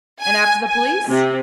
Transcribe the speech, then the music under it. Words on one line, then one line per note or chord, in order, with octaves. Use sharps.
And after the police?
G#5
G#5
C3